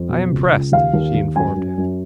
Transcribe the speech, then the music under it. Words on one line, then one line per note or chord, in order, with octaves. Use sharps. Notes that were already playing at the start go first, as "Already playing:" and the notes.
"I am pressed," she informed him.
Already playing: F2
B2
C#2
C#2
D#2 F5
D#2
D#2
F#2 G#5
F#2
F#2